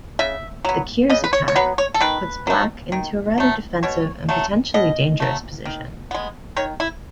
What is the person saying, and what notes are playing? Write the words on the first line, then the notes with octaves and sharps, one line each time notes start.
The Keres Attack puts Black into a rather defensive and potentially dangerous position.
C#3 E5
F#3 B3
C#3 D#5
B4
C#5
C#5
F#3 B3 B4
C#5
A4
D#3 B4
F#3 A3
D#3
F#3 A3
B2 C#5
F#3 A3
B2 D#5
F#3 A3
D#3
G#3 B3
D#3 C#5
E4